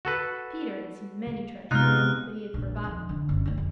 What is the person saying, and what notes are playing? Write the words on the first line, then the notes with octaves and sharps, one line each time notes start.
Peter had seen many tragedies, but he had forgotten them all.
F#4 A4 B4
C3 G#3 B3 D#4 F4 F6 F#6
A#1
F2 D#3
D3
F#1
D2 D#3
F2